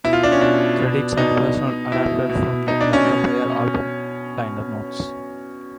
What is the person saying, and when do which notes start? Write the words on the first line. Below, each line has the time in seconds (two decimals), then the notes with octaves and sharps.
Credits and personnel adapted from "Like a Prayer" album liner notes.
0.04 B2 E4
0.13 F4
0.23 D4
0.32 C#4
0.41 B2 D4
0.79 B2
1.17 B2 D#4
1.54 B2
1.92 B2 E4
2.29 B2
2.67 B2 D#4
2.81 D4
2.93 C#4
3.05 B2